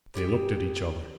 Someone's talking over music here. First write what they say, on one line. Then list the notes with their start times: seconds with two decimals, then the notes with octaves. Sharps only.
They looked at each other.
0.15 G4 G#4 G5